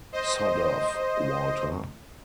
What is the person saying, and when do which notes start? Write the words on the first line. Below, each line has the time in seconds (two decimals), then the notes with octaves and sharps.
Sod off, Walter!
0.12 C5 D#5